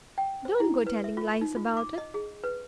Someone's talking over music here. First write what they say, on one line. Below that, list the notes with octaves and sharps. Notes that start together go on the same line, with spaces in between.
Don't go telling lies about it.
G5
C5
E4
B4
E5
F4
D#4
F4
D6
D#5
G#4
B4